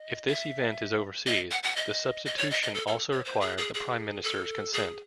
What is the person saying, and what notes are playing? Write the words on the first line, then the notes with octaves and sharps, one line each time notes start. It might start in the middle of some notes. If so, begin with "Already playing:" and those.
If this event is overseas, the substitution also requires the Prime Minister's consent.
Already playing: D#5
E5
D#5
F#5
F#5
D#5
D#5
C#5
D#5
D#5
A4
A4
C#5
C5
G#4
G#4
G#4
A4
G#4